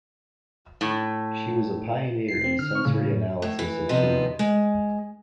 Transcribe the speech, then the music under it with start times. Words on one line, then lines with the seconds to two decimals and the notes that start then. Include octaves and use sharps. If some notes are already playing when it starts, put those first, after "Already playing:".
She was a pioneer in the sensory analysis of food.
0.81 A2
2.28 C7
2.44 C4
2.59 D3 F6
2.72 C4 C#6
2.85 A2 C#3
3.42 A2
3.59 E3
3.89 E2 C3 F3 B3 D#5
4.39 G#3